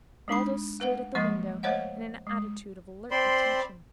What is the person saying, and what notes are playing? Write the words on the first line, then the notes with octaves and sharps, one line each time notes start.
Baldos stood at the window in an attitude of alert attention.
G#3 D4 D#4 B5
A3 B4 F#5
F3 G#3 A#3 D#5 C6
A3 C5 C#5 D#5 F#5
G#3
C4 C5 D5 B5 C6